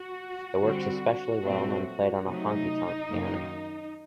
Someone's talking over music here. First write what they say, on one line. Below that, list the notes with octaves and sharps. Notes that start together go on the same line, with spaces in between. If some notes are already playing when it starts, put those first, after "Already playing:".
It works especially well when played on a "Honky tonk" piano.
Already playing: F#4
D3 G3 C4
A#2 F#3 A3 C4
C3 F#3 A3 D#4
F#2 D#3 F#3 A#3